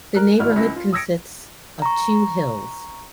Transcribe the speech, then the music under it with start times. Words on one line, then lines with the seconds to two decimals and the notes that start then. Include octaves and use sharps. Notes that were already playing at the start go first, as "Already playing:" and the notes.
The neighbourhood consists of two hills.
0.14 A#4 F#6
0.39 G#1 E4 F#4 D5 F6
0.56 C#2 E4 A#6
0.76 F4
0.93 D#6 E6 G#6 A#6 C#7 D7
1.82 A#5 C#6